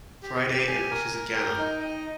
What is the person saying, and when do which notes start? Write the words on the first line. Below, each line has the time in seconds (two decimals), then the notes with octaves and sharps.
Friday and Officer Gannon.
0.23 G4
0.46 G4
0.68 G#5
0.91 A#4
1.14 A#4
1.35 G5
1.58 D#4
1.80 D#5